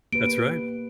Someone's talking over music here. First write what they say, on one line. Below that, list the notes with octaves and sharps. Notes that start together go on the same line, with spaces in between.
that's right.
A#3 G4 B4 D7